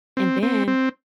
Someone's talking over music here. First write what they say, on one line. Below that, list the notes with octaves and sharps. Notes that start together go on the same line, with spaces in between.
And then,
C4
C4
C4